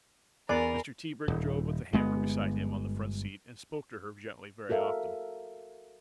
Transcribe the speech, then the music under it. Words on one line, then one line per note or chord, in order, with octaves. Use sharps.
Mr. Tebrick drove with the hamper beside him on the front seat, and spoke to her gently very often.
E2 A#4 D5 G#5 B5 C7
D#1
G1 G#3 B3
F#4 A4 A#4 E5 F5